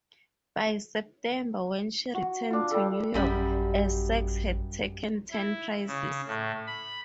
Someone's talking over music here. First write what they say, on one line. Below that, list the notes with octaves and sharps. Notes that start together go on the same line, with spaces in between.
By September, when she returned to New York, "Essex" had taken ten prizes.
F#4
D4 F4
G3 A4
A1 F#2 G3 B5
E4
C#3
A2
B5